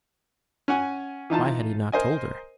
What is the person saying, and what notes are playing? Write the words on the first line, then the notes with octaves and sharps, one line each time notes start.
Why had he not told her?
C#4 F#5 G#5
E3 D#4 F4 A5
A#4 C5 D#5 G#5